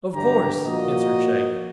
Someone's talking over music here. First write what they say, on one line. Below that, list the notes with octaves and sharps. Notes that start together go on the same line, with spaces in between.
"Of course," answered Shaggy.
G2 D3 E3 G3 G4 A#5
A#2 F3 A#3 F#4 D#5